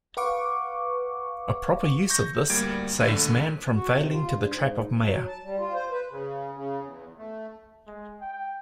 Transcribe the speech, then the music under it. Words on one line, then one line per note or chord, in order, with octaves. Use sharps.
A proper use of this saves man from failing to the trap of maya.
B4 F5 F#5 C#6 D6
C#6 G6 A#6
D2 G3 A#3 G#6 D7
A#1 D3 A3 D#7
F#4
C3
F4
G2
G#2
F#3
A5
G3
F4
C5
B4
C#3
C#3
E2
A3
G#3
G5